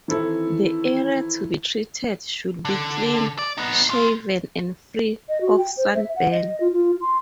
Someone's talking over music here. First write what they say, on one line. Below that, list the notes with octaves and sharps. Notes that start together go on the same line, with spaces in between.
The area to be treated should be clean shaven and free of sunburn.
D#3 E3 C4 E4 A4
D3
D5
B3 D#4
A3 F4
D#5
F#4
G5
C5
E5
F#5
D#5
F4
F4
C6